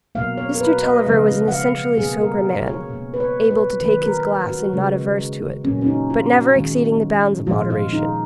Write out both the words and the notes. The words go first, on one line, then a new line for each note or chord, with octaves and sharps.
Mr. Tulliver was an essentially sober man,--able to take his glass and not averse to it, but never exceeding the bounds of moderation.
B2 F#3 A#3 F5
C#5
A#4
B4
D#5
C#3 F3 G#3 F5
F#5
F5
B2 A#3 G#4
A#4
C#5
B2 A#3
B4
C#5
B4
D#3 F#3 A#3 B4
A#4
F#4
C#3 G#3
A#2 F#3 A#3 C#4
C#4
D#4
F4
F#4
D#3 G#3
A#2 F3 G#3 F4
F4
D#4